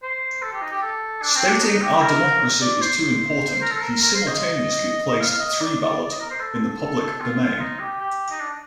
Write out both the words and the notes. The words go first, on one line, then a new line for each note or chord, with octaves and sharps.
Stating "Our democracy is too important", he simultaneously placed ThreeBallot in the public domain.
C5
A4
G4
D#4
G4
A4
D4
C4
D4
D#4
G4
A#4
D5
C5
A#4
A4
A#4
A#4
C5
D#5
F5
D#5
D5
D5
D5
D#5
A#4
C5
A4
F4
F4
D#4
G4
G4
D#4
D4